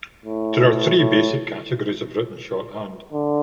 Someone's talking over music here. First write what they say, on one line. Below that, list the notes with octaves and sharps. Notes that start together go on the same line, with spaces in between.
There are three basic categories of written shorthand.
A2
A2
D3